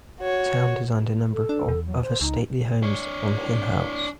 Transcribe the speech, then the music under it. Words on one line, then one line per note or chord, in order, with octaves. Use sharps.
Town designed a number of other stately homes on Hillhouse.
F#4 C#5
A4
D4
E2
F#3
C5
C#2 D#4
D4 C#5